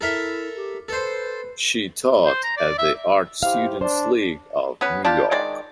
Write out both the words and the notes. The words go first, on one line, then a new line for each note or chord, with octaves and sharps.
She taught at the Art Students League of New York.
E4 A4 A#4 E5
G4
A4 B4 C5
C5
A#5
D5
E5
E4 G4 C5 F5
D4 C5
B3 C#4 B4
D4 F4 G4
D#3 G#3 D5